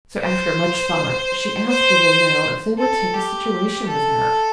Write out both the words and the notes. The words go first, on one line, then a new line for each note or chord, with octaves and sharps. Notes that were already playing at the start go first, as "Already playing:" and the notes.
So, after much thought, she asked little Nell if they would take a situation with her.
C5
C5
A4
G4
A4